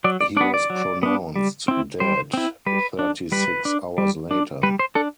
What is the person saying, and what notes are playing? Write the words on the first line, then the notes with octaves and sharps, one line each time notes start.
He was pronounced dead thirty-six hours later.
F#3 D5
D5
B3 D4 D5
D5
F#3
B3 D4
G3
C4 E4
G3 C5
C4 E4
G3 B4
D4
G3 B4
D4
G3
D4
G3 B4
C5
D4 A4